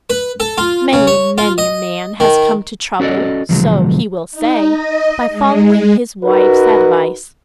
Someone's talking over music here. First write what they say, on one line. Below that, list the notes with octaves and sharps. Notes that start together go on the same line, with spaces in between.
Many and many a man has come to trouble--so he will say--by following his wife's advice.
B4
A4
F4
C#3
C#5
F4
D#5
D#3
C#4 F#4 A4 D5 D#5
E2 B2 D3 F3 F#3 G#3
D#4
D#5
G#3
D#4 F#4 A#4 B4